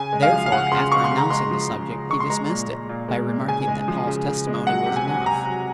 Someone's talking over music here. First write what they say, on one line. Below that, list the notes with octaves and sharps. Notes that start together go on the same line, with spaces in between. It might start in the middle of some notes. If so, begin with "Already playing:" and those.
Therefore, after announcing the subject, he dismissed it, by remarking that Paul's testimony was enough.
Already playing: C#3 G#5
G#3
F5
F3
F5
C#3 F#5
C#3 C6
G#3 C#6
C6
C#3
A#5
G#3 C6
F3
C#3
C#3
G#3 C#6
C6
G#3 A#5
A#2
G#3
A#2
G#3
A#2
C#3 G#5
G#3
F3
C#3
C#3
G#3
F#3 F#5
C3
G#5
F#3
C3 A#5
F#3